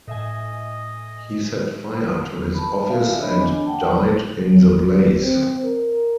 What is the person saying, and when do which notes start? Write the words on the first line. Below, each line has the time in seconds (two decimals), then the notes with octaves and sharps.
He set fire to his office and died in the blaze.
0.08 A2 D#5 E5 G#5
2.54 A5 B5
2.88 D5 E5 F5 G#5
3.18 D4 C#5 D#5 G#5 B5
3.45 D4
3.66 F#5 G5 A5
5.21 C4
5.64 A#4